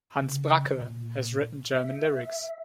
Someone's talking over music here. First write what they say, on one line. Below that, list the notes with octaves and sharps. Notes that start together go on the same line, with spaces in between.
Hans Bracke has written German lyrics.
C#3
A#2
E5